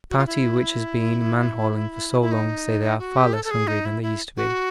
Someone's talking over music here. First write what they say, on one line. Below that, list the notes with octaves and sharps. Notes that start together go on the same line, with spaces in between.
The party which has been man-hauling for so long say they are far less hungry than they used to be.
F#4
F4
E4
E4
D#4
F#4
G4
A4
A4
G#4
D#4
E4
E4
F#4